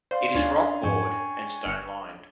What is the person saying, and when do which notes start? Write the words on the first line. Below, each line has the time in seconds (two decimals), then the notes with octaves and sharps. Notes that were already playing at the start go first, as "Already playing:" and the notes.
It is rock bored and stone lined.
0.11 C5 D5 F5 C6
0.35 D2 C#4 D4 F4 A6
0.83 F2 G#2 G5 G#5 C#6
1.66 G1 C#7